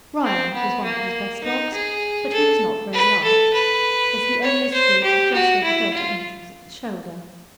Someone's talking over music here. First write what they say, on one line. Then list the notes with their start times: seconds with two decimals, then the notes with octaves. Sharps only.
Brian was one of his best dogs, but he was not very large, as he only stood just over thirty inches at the shoulder.
0.23 C4
0.53 B3
0.84 A#3
1.43 D#4
1.74 G#4
2.33 A4
2.93 B4
3.23 A4
3.53 B4
4.43 C#5
4.74 C5
5.03 G4
5.33 F#4
5.64 E4
5.93 F4